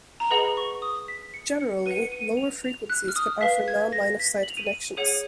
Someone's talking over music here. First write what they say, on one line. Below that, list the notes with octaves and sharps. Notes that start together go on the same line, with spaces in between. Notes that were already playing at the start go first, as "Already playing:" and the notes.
Generally, lower frequencies can offer non-Line-of Sight connections.
A#5
G#4 B4 D#5 F#5 B5
C#6
D#6
B6
C#7
C#7
B4 F#5 D#7
C#7
D#7
F7
F7
F#6
F6
D#6
B4 F5 B6
G#6
A#6
B6
F#7
F7
D#7
G#4 C#5 F#5 D#7